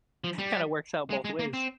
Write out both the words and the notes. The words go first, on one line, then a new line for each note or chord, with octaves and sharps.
kinda works out both ways.
F3
G3
G#3
G#3
A#3
C4